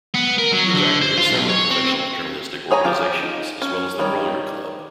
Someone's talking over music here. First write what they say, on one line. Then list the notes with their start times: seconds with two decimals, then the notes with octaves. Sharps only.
He was active in several professional journalistic organizations as well as the Grolier Club.
0.14 B3
0.38 A#4
0.52 F#3
0.75 D3
1.02 C5
1.17 F4
1.31 B1
1.49 C#5
1.71 C4
2.71 G#4 C#5 G#5 A#5
2.84 F3 F4 G4
3.23 D#4
3.62 C#4
3.99 D#3 G3 C#5